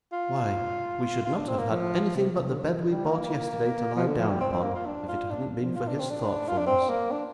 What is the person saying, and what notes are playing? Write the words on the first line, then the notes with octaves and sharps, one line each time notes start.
Why, we should not have had anything but the bed we bought yesterday, to lie down upon, if it hadn't been for his thoughtfulness!'
F4
F4
D4
C4
A#3
F3
C3
C3
D3
D3
F3
G3
A#3
F3
D3
F3
G3
C4
C4
A#3
F4
D4
F4
D4
F3
F4
D4
C4
D4
F4
D4
C4
A#3
D4